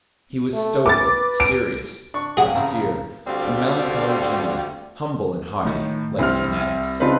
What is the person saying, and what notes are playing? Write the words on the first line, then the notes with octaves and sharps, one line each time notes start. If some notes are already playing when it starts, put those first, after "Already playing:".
He was stoical, serious, austere; a melancholy dreamer, humble and haughty, like fanatics.
A3
B4 D6 A6
D7
D4 C#6
C3 A#3 G#4 F#5 G5
A1 C#3 A#5
D2 G3 C4 D5 F5
A2 D#3
C2 C4 F6
C#3 C4 D4 D#4 F4 B4